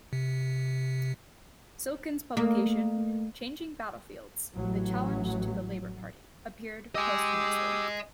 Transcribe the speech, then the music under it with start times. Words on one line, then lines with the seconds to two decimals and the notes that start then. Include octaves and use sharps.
Silkin's publication "Changing Battlefields: The Challenge to the Labour Party" appeared posthumously.
0.13 C3
2.37 A3 A#3
4.56 A1 F#3
6.95 G4 D#5 G#5 D#6 E6